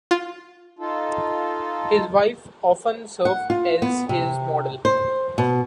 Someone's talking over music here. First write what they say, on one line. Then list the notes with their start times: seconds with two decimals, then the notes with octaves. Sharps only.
His wife often served as his model.
0.11 F4
0.79 D#4 F4 A4
3.25 F#5
3.50 F4
3.82 B3
4.09 C3
4.85 C5
5.38 B2